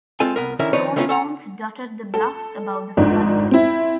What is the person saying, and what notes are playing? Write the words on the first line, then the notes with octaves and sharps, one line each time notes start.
Stone mounds dotted the bluffs above the floodplain.
G#3 C4 F4 A4 G#5
C2 B3 A#4
D3 D#3 C#4 E4 A#4 E5
D#3 F3 D#4 B4 C#5 D5
D#3 A3 B3 C#4 D4 F4
A4 F#5 A#5
A4
G#1 F2 G#2 D4 D#4
C4 E4